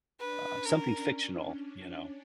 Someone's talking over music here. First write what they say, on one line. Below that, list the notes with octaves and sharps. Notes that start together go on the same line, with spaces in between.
uh, something fictional, you know.
D4 B4
C#4
A#4
C#4